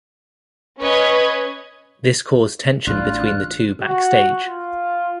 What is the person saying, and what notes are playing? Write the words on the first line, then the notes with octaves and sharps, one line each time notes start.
This caused tension between the two backstage.
C#4 B4 C#5 D#5 G#6
A1 E2 D4 F4 F#6
F#4
F4